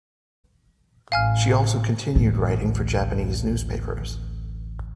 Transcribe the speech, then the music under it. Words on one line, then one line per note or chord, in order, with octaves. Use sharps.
She also continued writing for Japanese newspapers.
A1 F5 G#5 F6
A1 D2